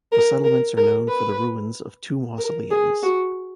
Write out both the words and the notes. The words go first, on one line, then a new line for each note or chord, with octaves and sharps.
The settlements are known for the ruins of two mausoleums.
A#4
A#4
A#4
B4
A#4
G#4
F#4